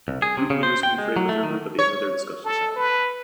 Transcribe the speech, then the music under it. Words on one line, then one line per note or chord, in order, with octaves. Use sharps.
Group Leaders can pray with their group at the end of their discussion time.
C2
G#4
C3
C#3
C5
G5
G#3
F#3
A3
D#3
C#5
A4
B4